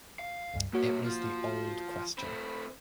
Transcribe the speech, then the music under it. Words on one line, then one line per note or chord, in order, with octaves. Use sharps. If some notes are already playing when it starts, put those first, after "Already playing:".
It was the old question.
F5
C#2 G2
G2 A#3 F#4 C#5
F3 F4
A3 C4 B5